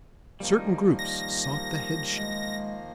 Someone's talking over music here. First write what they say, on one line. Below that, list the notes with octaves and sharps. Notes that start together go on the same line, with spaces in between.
Certain groups sought the headship.
D#3 F3 G3 A#3 D#4
A#6
G#3